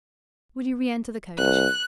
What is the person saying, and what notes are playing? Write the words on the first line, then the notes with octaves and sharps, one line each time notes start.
Will you re-enter the coach?
C2 F#6